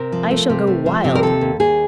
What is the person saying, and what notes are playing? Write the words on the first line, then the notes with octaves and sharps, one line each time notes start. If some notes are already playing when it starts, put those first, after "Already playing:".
I shall go wild!
Already playing: C3 A#4
F3
A3
C3
A3
F3
C3
A#4
D#2 A4
D#2
D#2 G#4